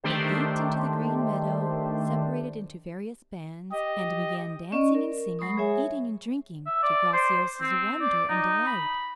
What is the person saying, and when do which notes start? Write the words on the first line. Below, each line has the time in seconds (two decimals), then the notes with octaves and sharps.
They leaped into the green meadow, separated into various bands, and began dancing and singing, eating and drinking, to Graciosa's wonder and delight.
0.04 D#3 A3 D4 G4 C5
3.72 G4 D#5
4.72 C#4 D5 D#5 C#6
4.95 A#4
5.39 F#3 G#3 B5 C#6 D#6
5.57 G#4 C#5 E5 G#5
6.66 E5
6.83 D5
7.13 C5
7.61 C4
8.01 D5
8.30 D#4
8.67 B5